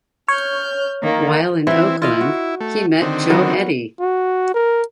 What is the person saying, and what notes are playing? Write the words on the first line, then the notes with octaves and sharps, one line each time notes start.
While in Oakland, he met Joe Edy.
C#5 F6 G6
D#3 A#3
E3 C4 E4 E5
E4 F4 D#5 F5
F#4
A3
D3 D#3 C4
F#3 B3 A#4
F#4
A#4